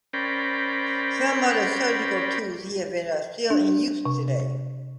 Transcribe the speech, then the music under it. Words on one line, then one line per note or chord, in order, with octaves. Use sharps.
Some of the surgical tools he invented are still in use today.
C#4 A#4 C5 D5 G5 B5
D4
C3